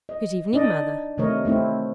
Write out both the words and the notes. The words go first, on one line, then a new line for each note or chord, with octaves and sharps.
'Good evening, Mother.'
D#5
D4 D#4 D5 D#5
C3 D#3 A3 A#4 C#5 D#5
A3 C4 D#4 E4